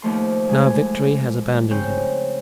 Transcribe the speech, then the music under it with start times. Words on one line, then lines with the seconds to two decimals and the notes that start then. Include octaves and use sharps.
Now victory has abandoned him.
0.02 D#2 F3 A3 C6
0.49 G#3 A3 G#4
1.71 C#3 C4 G6